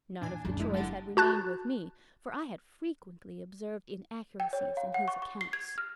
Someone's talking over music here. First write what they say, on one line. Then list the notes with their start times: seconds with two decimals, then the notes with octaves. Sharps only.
"Not if the choice had remained with me, for I had frequently observed inaccuracies in his accounts."
0.21 E2 A#2 D4 G#5
0.45 F#1 D3
0.60 G#3 A3 E4
0.74 D4 G4 F#5 A5 A6
1.17 F#4 A5 F#6 A6
4.40 G5
4.53 C#5
4.77 F5
4.94 F#5
5.08 C#6
5.22 C#6
5.41 C7
5.53 G#6
5.78 F6